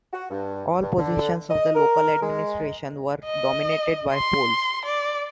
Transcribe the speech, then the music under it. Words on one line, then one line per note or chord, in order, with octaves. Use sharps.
All positions of the local administration were dominated by Poles.
F#4
G2
G2
D3
D#5
A#4
G#3
D#5
C6
D5